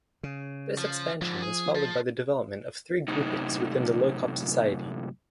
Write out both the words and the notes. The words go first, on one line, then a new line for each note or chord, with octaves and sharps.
This expansion was followed by the development of three groupings within the Loikop society.
C#3
F3
G#2 D3 F3
G#4
C5 A5
F#2 A2 C3 D#4